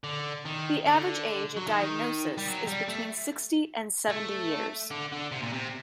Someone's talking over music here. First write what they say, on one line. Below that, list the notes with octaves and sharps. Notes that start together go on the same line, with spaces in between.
The average age at diagnosis is between sixty and seventy years.
D3
D#3
D3
F#3
D#3
G3
F#3
G3
A3
A3
D3
D3
C3
A#2
C3